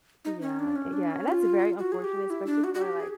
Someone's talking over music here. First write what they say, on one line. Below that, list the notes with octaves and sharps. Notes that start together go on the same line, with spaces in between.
Yeah. Yeah and that's very unfortunate, especially for, like,
D#4
C#4
D4
C#4
D4
C#4
F4
F#4
G#4
G4
E4
D4
F#4
F#4
G4
G#4